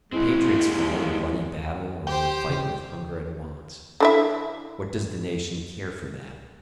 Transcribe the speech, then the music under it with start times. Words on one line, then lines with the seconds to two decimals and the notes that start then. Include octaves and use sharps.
The patriots fall in bloody battle or in the fight with hunger and want; what does the nation care for that?
0.12 G#3 C4 E4 G#4
0.47 G3 A#3 D#4
2.07 G4 C5 G5
2.49 C#3
4.00 D3 E4 E5